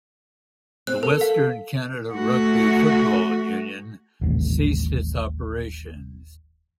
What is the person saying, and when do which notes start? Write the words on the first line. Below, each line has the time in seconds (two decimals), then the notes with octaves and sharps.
The Western Canada Rugby Football Union ceased its operations.
0.87 C4 F#6
1.03 A4 A#4
1.21 F5
2.13 A3 F#4
4.21 D#1 A1 C3